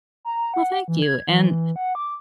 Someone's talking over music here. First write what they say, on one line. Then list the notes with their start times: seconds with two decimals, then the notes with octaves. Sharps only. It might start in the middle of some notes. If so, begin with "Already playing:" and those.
Well, thank you. And
0.25 A#5
0.54 F#5
0.88 E3
1.02 G#6
1.28 E3
1.76 F#5
1.95 D6